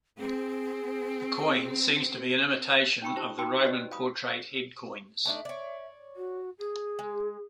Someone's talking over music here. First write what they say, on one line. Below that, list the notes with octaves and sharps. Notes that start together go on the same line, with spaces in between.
The coin seems to be an imitation of the Roman portrait head coins.
C4 G#4
C#4 D#4 G5 B5 C#6
F4 G4 C5 A5
D#4 F#4 G5 B5 C6
F#4 G4 B4 C5 D5 D#5
F5 B5 D#6
A3 D4 D#4 E5
C#5 D5
F#4
G#4
G#3